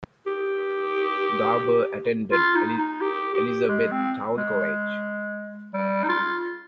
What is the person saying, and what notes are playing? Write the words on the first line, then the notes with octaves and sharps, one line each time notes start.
Garber attended Elizabethtown College.
G4
F4
D#4
D#4
G4
G4
G#3
C4
G#3
G3
D#4
F4